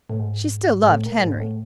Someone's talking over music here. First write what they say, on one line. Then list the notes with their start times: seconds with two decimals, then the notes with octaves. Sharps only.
She still loved Henry.
0.10 A2
0.19 G#2
0.83 G#2
0.88 A2
1.06 A#2
1.23 G#2
1.40 A2